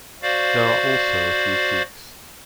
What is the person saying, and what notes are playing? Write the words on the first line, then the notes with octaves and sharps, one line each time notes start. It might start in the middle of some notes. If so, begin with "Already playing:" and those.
There are also a few Sikhs.
F#4 C5 D5 F5